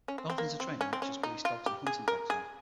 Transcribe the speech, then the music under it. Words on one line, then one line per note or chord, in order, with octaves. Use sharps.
Dolphins are trained much as police dogs and hunting dogs are.
C#4
C4
C4
A#3
C4
C#4
C4
C#4
D#4
F4
G4
G#4
A#4
G#4